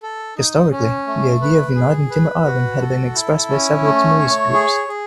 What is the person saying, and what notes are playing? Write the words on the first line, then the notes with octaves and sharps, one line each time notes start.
Historically, the idea of uniting Timor Island had been expressed by several Timorese groups.
A4
D#4
C#4
A3
B4
G#4
B4
F#4
A4
E4
C#4
A3
C#5
G#4
G#4